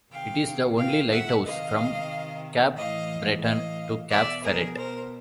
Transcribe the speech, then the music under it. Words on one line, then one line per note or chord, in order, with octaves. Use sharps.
It is the only lighthouse from Capbreton to Cap Ferret.
C3 D#3 F5 G5
F5 G5
E5 F#5
C3 D#3 D#5 F5
A2 E3 D#5 F5
D#5 F5
B2 D5 E5
G#4 A#4
A#4 C5